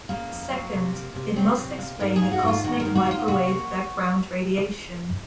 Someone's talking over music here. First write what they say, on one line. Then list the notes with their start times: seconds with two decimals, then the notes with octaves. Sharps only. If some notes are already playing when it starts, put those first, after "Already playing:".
Second, it must explain the cosmic microwave background radiation.
0.08 C#3 A#3
0.29 F2
0.51 F#3
0.72 C3
0.93 A#3
1.15 C3
1.36 F#3 C4
1.57 C3
1.78 A#3
2.00 G#2 A#4
2.16 G#4
2.22 A#3
2.32 F#4
2.42 G#2
2.48 F4
2.64 D#3 F#4
2.80 A#4
2.85 G#2
2.95 F#4
3.06 A#3 F4
3.28 C3 F#4
3.49 A#3